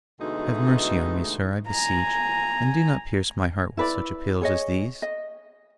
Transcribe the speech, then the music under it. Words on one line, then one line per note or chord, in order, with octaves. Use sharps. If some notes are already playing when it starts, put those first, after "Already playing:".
Have mercy on me, sir, I beseech, and do not pierce my heart with such appeals as these.
D2 B2 E3 G#3 A3 D#4
G#5 A#5
E4 B4 D5
G#4 C#5 D#5
D#5